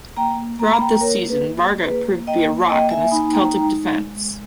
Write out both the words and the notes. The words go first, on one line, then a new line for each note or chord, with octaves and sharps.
Throughout this season Varga proved to be a rock in the Celtic defence.
A#3 G5 A#5
A#3 A#5
B5
G5 A#5
A#3 A#4 C#5
G#4 B4
A#3
G#4
A#3 G#4 B4
A#3 D#5 G5
A#3 D#5 G5
E5 G#5
D#4 G#5 B5
G5 A#5
G#3
G#3